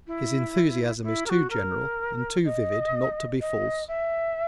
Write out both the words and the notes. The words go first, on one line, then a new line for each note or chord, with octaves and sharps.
His enthusiasm is too general and too vivid not to be false.
E4
E4
A#4
F#4
A#4
D#5
D#5
E5